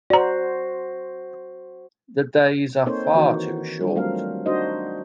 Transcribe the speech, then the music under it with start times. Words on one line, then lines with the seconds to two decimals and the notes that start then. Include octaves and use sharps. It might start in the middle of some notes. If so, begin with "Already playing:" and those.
The days are far too short.
0.10 F#4 C5 D5 A#5
2.86 A#3 C4 D#4 A4 C5 C#5
3.14 D#3 E3 D#4 F#4
3.81 G3 D4 F4
3.96 F#3 A3 C4 A#4 F5
4.46 D4 D#4 F#4 C5 D#5